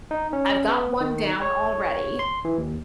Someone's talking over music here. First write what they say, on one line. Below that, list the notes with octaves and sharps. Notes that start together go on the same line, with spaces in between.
I've got one down already,
D#4
C#4
B3
D#3
C#5
C6
E3
D#2